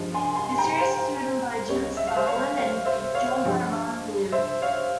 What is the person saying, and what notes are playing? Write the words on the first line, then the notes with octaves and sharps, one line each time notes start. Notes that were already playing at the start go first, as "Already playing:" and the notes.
The series was written by Jim Starlin, and drawn by Ron Lim.
Already playing: G2 F3 G#3
G#5 C6
G#5 C6
G5 A#5
C5
C#2 C#3 G3 C#5
E5
F5
C5 E5
C#5 F5
C#5 F5
C5 E5
C#5 F5
G2 F3 G#3
C5 E5
C#5 F5